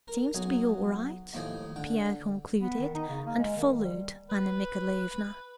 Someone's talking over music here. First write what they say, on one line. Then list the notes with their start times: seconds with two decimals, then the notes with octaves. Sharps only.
"It seems to be all right," Pierre concluded, and followed Anna Mikhaylovna.
0.08 A#4
0.34 B1 F#3 G#4 G#5
1.34 D#2 A2 F3 G5 G#5 D#6
1.76 D3 G5
2.60 B3
2.79 D#3
2.95 D#4
3.08 C#3
3.26 A#3
3.39 G#3
3.56 D#3
3.79 G3
4.29 B4